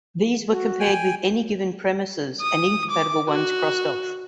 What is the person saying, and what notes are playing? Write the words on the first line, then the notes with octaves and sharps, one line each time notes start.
These were compared with any given premises, and incompatible ones crossed off.
F#4
G5 G#5
D#6
D6
F#4